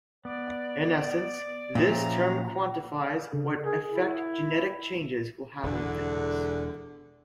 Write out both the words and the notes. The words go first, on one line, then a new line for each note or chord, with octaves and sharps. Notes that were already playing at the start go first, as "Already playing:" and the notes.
In essence, this term quantifies what effect genetic changes will have on fitness.
B3 D5
A#2 F3 C#4 F4 G4 E5 A#5
C#3 D4 A4
G#4 A#4
E4
E1 E2 D3 D4